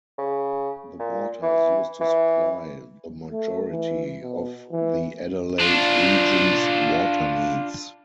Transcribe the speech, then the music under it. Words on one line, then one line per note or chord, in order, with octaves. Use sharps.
The water is used to supply the majority of the Adelaide region's water needs.
C#3
A#2
E3
E3
A3
E3
B2
E3
D4 F4